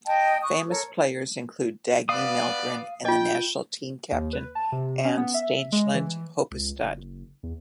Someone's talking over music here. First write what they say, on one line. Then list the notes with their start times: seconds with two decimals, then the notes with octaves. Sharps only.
Famous players include Dagny Mellgren and the national team captain Ane Stangeland Horpestad.
0.06 D#5 G5 A5
0.41 C#6 D#6 F#6
0.68 A4 A#4 C#5
2.09 B3 B4 D5 F5 D#6
3.05 F4 D#5 G5
4.12 D#2
4.33 B4
4.55 A5
4.72 C3
5.05 C#4
5.17 B3
5.34 E5
5.72 G#3
5.94 E3
6.51 C#2
6.82 F#1
7.43 E2